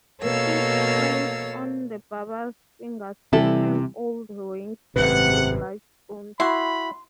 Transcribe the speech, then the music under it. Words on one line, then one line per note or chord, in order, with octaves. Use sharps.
The priests place on the barber's fingers certain old rings set with large stones.
B2 A#3 A4 C#5 F5 E6
C3 E3 G3 E4 A4
G#1 F#2 A2 C3 B4 F#5
E4 F#4 B5 C6